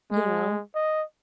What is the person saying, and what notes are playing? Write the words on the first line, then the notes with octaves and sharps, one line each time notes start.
you know?
G#3
D#5